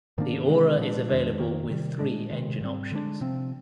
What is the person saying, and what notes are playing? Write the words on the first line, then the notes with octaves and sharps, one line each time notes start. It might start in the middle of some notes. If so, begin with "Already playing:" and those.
The Aura is available with three engine options.
G#2 D#3 A#3 D4
C3 D#3 G#3 C4
A#2 F3 G#3 D4
F2 D#3 G#3 D4
F2 D#3 A#3
C3 D#3 G3
A#2 G#3 D4
C3 D#3 G#3
G#2 G3 C4
D3 G#3 D4
C3 F3 C4